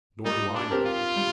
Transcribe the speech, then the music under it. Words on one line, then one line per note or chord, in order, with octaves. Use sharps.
Nor do I know them.
G3 D#4
D4
C4 G4 A#4
F4
G3